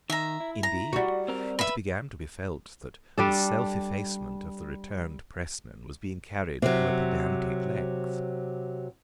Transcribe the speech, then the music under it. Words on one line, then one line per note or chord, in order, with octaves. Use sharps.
Indeed, it began to be felt that the self-effacement of the returned pressmen was being carried to a pedantic length.
D#3 E5 A#5
E4
A#5
G3 F#4
C4 A#4
B4 E5 B5
G3 D4 A4
C3 F#3